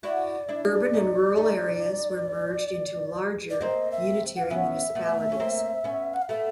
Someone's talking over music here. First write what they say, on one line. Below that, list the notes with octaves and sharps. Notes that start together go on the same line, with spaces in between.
Urban and rural areas were merged into larger unitary municipalities.
E4 F#4 D5
D4 E4
C#4 D#4
C#4 D#4
D5
A#3 C4 D#5
E5
F#5
F5
B3 C#4 E5
A3 B3
C#4
A#3 C4
B3 C#4
F#5
F5
A3 B3 E5